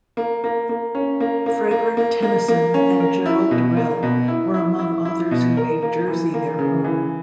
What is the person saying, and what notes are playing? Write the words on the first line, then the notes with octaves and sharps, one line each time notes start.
Frederick Tennyson and Gerald Durrell were among authors who made Jersey their home.
A#3
A#3
A#3
C#4
A#3
A#3
A#3
A#3
A#3
A#3
C#4
A#4
E4
B2
A#3
B2
E4
E4
E4
E4
B2
A#4
A#3
E3
A#3
C#3
E3